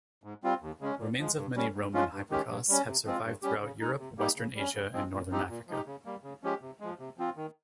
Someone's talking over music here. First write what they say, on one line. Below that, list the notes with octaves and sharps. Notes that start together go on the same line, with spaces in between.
Remains of many Roman hypocausts have survived throughout Europe, western Asia, and northern Africa.
G#2
G3 C4 F4
D#2
C#3 G#3 C#4
A#2
F3 G#3
G2
G3 C#4
G#2
F3 G#3 C#4 F4
G2
D#3 G#3 C#4 G4
G2
G3 C#4
C3
F3 G#3 C4 F4
G2
G3 C#4 G4
C#3
G#3 D#4
C3
G3 A#3 D#4 G4
C#3
G3 C#4
C#3
F3 G#3 C4
A#2
F3 C4 D#4 G4
A#2
F3 G#3 D#4 G4
C#3
G3 A#3
C#3
F3 G#3 C#4 G4
C3
F3 G#3
C3
F3 C4 F4
D#3